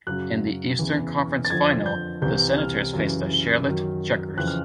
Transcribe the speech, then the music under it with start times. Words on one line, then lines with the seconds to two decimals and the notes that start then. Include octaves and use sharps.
In the Eastern Conference final, the Senators faced the Charlotte Checkers.
0.07 F#2 C#3 F#3 F#6
0.79 E2 C#3 E3
1.45 A6
1.50 F2 D3 F3 G#6
1.86 G6
2.22 C2 C3 E3 G6
2.58 F6
2.93 F#2 C#3 E3
3.66 F#2 D#3 F#3
4.37 F2 C#3 E3 F#6
4.47 F6